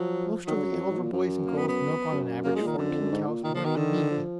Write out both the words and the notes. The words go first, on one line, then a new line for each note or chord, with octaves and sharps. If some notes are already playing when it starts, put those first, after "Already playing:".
Most of the elder boys and girls milk on an average fourteen cows morning and evening.
Already playing: F3 F#3
D#3 F#3
D3
F#2
F2
F#2
G#2
B2
A#2
F#2
A#3
B3
B3
F#2
F#2 A#3
G#3
A#2
D#3
F#2 D3
F2
F#2
G#2
A#2
A#2 D#3
A#2 F3
B2 D#3
D3 D#3
F3